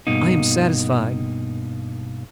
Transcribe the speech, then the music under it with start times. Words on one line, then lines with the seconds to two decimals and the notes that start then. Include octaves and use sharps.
"I am satisfied."
0.07 G2 B2 A#3 D#4